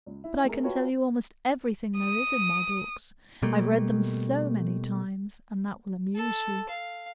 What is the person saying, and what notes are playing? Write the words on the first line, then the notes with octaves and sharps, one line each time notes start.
But I can tell you almost everything there is in my books, I've read them so many times, and that will amuse you.
C#2
E4
A3 G#4 A#4
F4 F#4 B4 C#5 G5 A5
D#6
B2 G3 A3 A#3
A4
F5